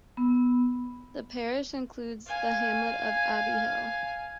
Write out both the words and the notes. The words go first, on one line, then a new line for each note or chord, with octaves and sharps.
The parish includes the hamlet of Abbey Hill.
B3
F5 G#5